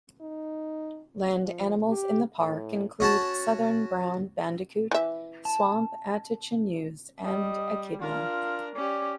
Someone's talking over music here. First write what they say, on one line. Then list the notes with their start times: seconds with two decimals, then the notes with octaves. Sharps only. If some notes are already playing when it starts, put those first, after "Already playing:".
Land animals in the park include southern brown bandicoot, swamp antechinuse and echidna.
0.21 D#4
1.43 F3
1.89 G4
2.39 A2
3.00 C#4 F#4 A5
4.91 E3 E5
5.45 A5
7.24 G3 D#5
8.02 D4 F4 A#4
8.75 C#4 G4 D5